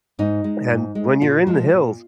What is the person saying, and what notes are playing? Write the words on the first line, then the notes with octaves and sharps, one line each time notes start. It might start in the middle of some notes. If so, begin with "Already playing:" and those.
and when you're in the hills,
G#2 D#4
G#3
G#2
G#3
A#2 F4
F3 G#3
A#2